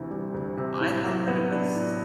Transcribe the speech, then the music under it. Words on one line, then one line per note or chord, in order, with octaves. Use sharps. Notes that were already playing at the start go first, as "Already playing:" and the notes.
I thought that it was
Already playing: D2 C3 E3
G3
D2
C3
A2
F#3
B3
D4
A2